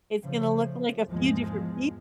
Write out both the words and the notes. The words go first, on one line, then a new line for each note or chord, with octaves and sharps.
It's gonna look like a few different peop
C#3 F3 A3
E2 G#2 F3 G#3